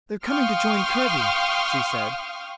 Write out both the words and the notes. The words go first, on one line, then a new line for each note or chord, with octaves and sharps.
"They're coming to join Kirby," she said.
F5 G5 C6 C#6 D#6 F6